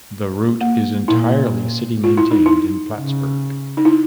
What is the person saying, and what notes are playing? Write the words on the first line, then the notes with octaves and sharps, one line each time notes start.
The route is entirely city-maintained in Plattsburgh.
A#3
A#2 E4
F4
E4
D#4
E4
C#3
D#4
E4